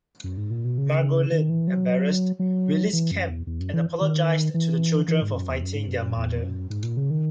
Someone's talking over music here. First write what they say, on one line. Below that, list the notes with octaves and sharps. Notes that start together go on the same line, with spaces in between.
Margolin, embarrassed, released Kemp and apologized to the children for fighting their mother.
F#2
G#2
A#2
B2
C#3
D#3
E3
F#3
F#3
E3
F#2
E2
E2
F#2
E3
D#3
E3
E3
G#2
F#2
E2
F#2
G#2
F#2
E2
F#2
G#2
A#2
C#3
D#3